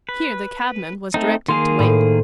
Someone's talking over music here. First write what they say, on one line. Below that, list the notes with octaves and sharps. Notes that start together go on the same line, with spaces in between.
Here the cabman was directed to wait.
B4
A3 C4 D#4
D#3 A#3 G#4 C6
A2 C5